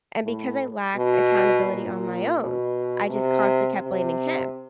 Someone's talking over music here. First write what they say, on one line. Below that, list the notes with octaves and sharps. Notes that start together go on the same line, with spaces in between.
And because I lacked accountability on my own, I just constantly kept blaming him.
A2
B2
A#2
B2
C3
C3